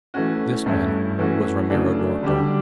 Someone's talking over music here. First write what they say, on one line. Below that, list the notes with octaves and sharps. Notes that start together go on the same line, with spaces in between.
This man was Ramiro d'Orco.
E3 A3 C#4 F#4
G2 E3 A3 C#4 E4
E3 A3 C#4 F#4
C#3 F#3 A3 D4
D3 G3 D4 G4